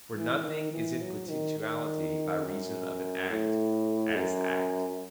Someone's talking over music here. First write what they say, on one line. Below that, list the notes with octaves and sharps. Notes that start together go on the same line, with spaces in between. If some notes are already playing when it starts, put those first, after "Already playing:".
For nothing is in potentiality by reason of an act, as act.
E3
D#3
E3
F#3
D#3
D#3
F#2
A2
F#2